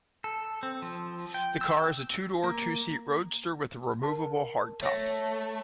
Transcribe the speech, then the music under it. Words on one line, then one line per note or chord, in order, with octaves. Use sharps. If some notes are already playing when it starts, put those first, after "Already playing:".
The car is a two-door, two seat roadster with a removable hardtop.
A4
C4
F3
G5
E6
A#3
A#4 A5
A3 C#5 A#6